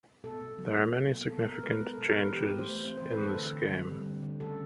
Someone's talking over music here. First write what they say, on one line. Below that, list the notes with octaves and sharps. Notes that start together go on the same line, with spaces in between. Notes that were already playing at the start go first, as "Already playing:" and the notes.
There are many significant changes in this game.
B2 A4
B2
F#3
A#3
B2
B2
B2 A4
B2 A#4
G#3 B4
B3 A#4
B2 A4
A#4
B2 B4
E3 G4
E3
C5
A3
C4
E3 C5
B4
E3 A4
D3
D3
G3
C4
D3
D3
C#3 A4